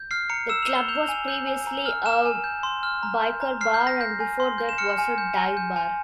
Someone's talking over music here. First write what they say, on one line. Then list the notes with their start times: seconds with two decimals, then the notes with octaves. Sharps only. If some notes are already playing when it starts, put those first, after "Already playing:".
The club was previously a biker bar and before that was a dive bar.
Already playing: G6
0.11 F6 C7
0.30 A#5 C#7
0.49 E6 E7
0.63 F7
0.69 G6
0.75 G7
0.88 G6 F7
1.07 G#5 F7
1.28 G6
1.47 G#5
1.67 A#5
1.86 F6
2.06 F6 E7
2.25 G#5
2.44 G6
2.63 C6
2.83 F6
3.03 A#5
3.23 G6
3.41 A#5
3.61 F6 C7
3.74 G6
3.81 A#5
3.87 A#6
4.01 G6
4.20 G#5
4.40 C6
4.58 G6
4.69 E7
4.78 F6 C#7
4.98 G#5
5.18 G6
5.37 G#5
5.57 G6
5.76 G#5